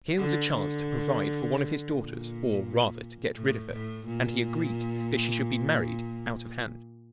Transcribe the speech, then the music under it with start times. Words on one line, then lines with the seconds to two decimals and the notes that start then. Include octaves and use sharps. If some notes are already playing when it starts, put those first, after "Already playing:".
Here was a chance to provide for one of his daughters, or, rather, to get rid of her, and he agreed that she should be married out of hand.
0.18 D3
0.53 D3
1.94 A#2
3.36 A2
3.72 A2
4.07 A#2